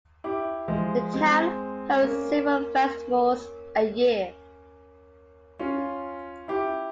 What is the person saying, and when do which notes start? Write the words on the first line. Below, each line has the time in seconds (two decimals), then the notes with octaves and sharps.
The town hosts several festivals a year.
0.24 E4 G4
0.68 F3 G#3
1.13 G#3 C4
2.03 A#3 C#4
5.59 C#4 F4
6.48 E4 G4